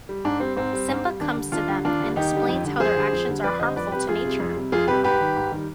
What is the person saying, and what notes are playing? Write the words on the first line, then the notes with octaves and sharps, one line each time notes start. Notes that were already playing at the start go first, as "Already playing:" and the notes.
Simba comes to them and explains how their actions are harmful to nature.
G3
G#2 D4
G3 C4
G#2 C4
G3
G#2
G3
D#2 D4
D3 G3
D#2 D4 F4
D3 G3
D#2 D4 F4
D3 G3
D#2 D#4 G4
D3 G3
F2
D3 G3
F2 G#4 C5
D3 G3
F2
D3 G3
F2 B4 D5
D3 G3 C5 D#5
F2 B4 D5
C3 G3 G4 B4
F2 F4 G#4
C3 G3
F2
C3 G3
F2 F4 G#4
C3 G3 G4 B4
G#2 G4 B4
D#3 G3
G#2
D#3 G3